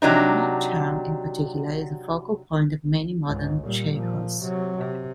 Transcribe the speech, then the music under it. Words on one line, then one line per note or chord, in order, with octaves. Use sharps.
The Dramyin Cham in particular is a focal point of many modern tsechus.
C3 F#3 D4 D#4
C#2 G#2
A#2 G3
A#2 F3
C3 F#3
C3